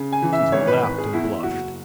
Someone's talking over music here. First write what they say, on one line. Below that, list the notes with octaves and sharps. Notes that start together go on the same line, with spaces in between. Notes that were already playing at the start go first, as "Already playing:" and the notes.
Tito laughed and blushed.
Already playing: C#3
G#5
E3
E5
G#1 C#5
B4
G#1 B4
G#4
E2 E4
F#1 F#4